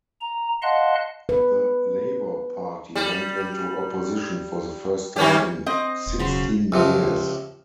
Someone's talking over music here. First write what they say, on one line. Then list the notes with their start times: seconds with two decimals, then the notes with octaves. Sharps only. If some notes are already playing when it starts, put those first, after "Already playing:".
The Labour Party went into opposition for the first time in sixteen years.
0.21 A#5
0.62 D#5 F5 F#5 A5 C6 F#6
1.29 B4
2.95 G3
5.16 D#3 C#4 G4
5.66 C4 D#5
6.06 E1
6.19 C#3 F#3 C5
6.72 C#2 C3 F3